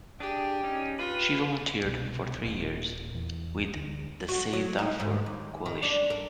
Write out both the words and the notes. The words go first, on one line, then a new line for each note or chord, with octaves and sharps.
She volunteered for three years with the Save Darfur Coalition.
D4 G4 G#4
C#4 D#4
F4 B4
C2 B2
D#1 A#2
E2
D2
F#4
F#3
D#4
G#2
D#2
D#3
D4
A#4